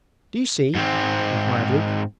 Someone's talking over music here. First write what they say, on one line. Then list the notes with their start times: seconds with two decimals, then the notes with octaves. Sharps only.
Do you see?' inquired Luke.
0.75 G#2 C4